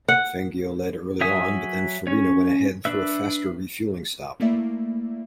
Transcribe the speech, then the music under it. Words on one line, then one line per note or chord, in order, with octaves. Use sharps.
Fangio led early on but then Farina went ahead through a faster refuelling stop.
F#5
F#3 C#5 E5 G#5 D#6
C#4 C#5
D4 B4 E5
A3 A#3 E4 D5 E5